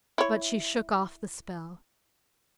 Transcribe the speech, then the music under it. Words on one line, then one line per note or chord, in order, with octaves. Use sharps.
But she shook off the spell.
E4 C#5